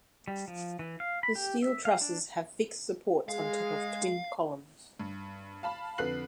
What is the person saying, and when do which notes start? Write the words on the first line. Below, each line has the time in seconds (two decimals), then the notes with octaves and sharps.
The steel trusses have fixed supports on top of twin columns.
0.28 G3
0.48 F3
0.79 E3
1.00 F5
1.23 B5
1.36 G4
1.62 E5
1.85 F5
2.01 D4
3.29 G#3 G#4 F5
5.00 G2
5.63 F5 A5 B5
5.98 F2 D3 B4 F#6 C7 F#7